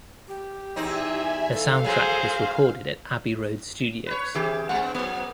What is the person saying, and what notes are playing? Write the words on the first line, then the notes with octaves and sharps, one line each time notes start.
The soundtrack was recorded at Abbey Road Studios.
G4
E2 C4 D#4 E5 G#5
A4 F5
F#3 G#4 C5
B4 C#5
D3 E3 C4 G4 G#4
G#3 A#3 C4 F#5
B3
F#3 A#3 B3